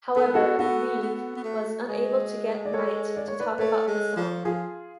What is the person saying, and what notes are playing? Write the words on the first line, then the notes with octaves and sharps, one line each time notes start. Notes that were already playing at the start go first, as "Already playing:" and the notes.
However Reeve was unable to get Knight to talk about the song.
B3 A4
B4
F#4 A4
B3 F#4 A4
B3
B3
A3
G#3
D5
A4 C#5
D5
C#5
B4 D5
A3 A4 C#5
G#3
F3
F3 F4 G#4